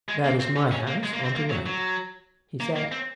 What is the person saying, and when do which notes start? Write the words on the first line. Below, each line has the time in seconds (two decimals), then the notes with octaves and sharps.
"That is my house, on the right," he said.
0.09 G#3
0.24 A#3
0.40 C4
0.56 C#4
0.71 C#4
0.87 A#3
1.03 G#3
1.13 A#3
1.24 C4
1.35 A#3
1.50 F#3
1.66 F#3
2.60 A#3
2.76 A#3
2.92 C4